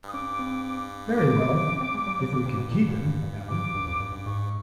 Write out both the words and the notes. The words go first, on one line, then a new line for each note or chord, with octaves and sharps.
Very well, if we can keep him, Ellen.
D#6
C#4 D6
C4
D6
C#4
C4
G#3
G3
F#3
D3
C3
B2
A#2
B2
G2
G2
G#2 D6
G2
F#2
F2
G2
G2
G#2 C#6